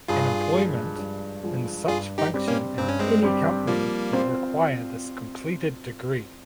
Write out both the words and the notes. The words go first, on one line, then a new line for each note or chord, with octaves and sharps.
An employment in such function in any company would require this completed degree.
G2 F4 G#4
F3 G#3
G2
F3 G#3
G2 F4 G#4
D#4 G4
G3 C4 G4
A#3 C#4
G2 C4
C#4
G#3 C4
G3 C4 G4
F3 G3 A#3
C4 F4 C5 F5